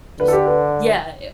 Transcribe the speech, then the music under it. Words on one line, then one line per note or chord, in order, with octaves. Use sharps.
Just Yeah, i
D3 B4
A4
G4
B4